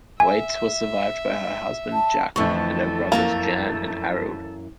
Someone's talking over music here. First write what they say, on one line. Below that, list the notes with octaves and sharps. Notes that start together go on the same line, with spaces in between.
Waitz was survived by her husband Jack and her brothers Jan and Arild.
E5 G#5
A5
F2 D3 E3 A3 A4 A5 C#6
F#2 E3 A#3 A#5